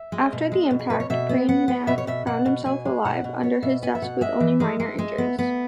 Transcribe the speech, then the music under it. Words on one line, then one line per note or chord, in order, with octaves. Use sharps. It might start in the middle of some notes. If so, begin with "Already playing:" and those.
After the impact, Praimnath found himself alive under his desk with only minor injuries.
Already playing: E5
G#3
B2
G#3
B2
G#4
B2 B4
C#5
B2 E5
B3
B3 F#5
B3
B2 E5
C#5
B2 E5
B2 F#5
B2
B2 G#5
G#3
B2 F#5
B2
B3 C#5
B2 E5
B3 G#5
E5
B2 F#5
G#3 E5
E3
G#3
G#3
G#3
B3
B3